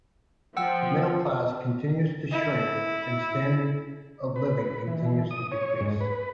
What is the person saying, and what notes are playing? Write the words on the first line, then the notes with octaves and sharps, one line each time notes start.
The middle class continues to shrink and standard of living continues to decrease.
F3 F#5 G5 E6
E4
B4
E3
D#6
C#5
G#2
B4